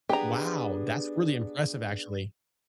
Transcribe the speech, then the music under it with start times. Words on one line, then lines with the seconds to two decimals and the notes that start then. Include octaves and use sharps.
Wow, that's really impressive, actually.
0.09 B3 D4 G4 G#4 A#5